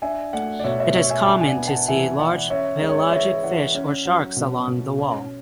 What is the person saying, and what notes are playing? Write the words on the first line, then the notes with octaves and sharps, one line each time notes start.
It is common to see large pelagic fish or sharks along the wall.
D4 E5 G#5
A3 D5 F#5
D5
B2 C#5 E5
C#5 E5
B2 C#5 E5
E5 G#5
A5
D4 E5 G#5
G#5
D5 F#5
B3
F#5 A5
E3 E5 G#5
E3 D5 F#5
C#4 C#5 E5
G#3 D5
C#5
B4 D5
E3 C#5 E5
E3 D5 F#5
C#4
F#3
B2
B2
C#4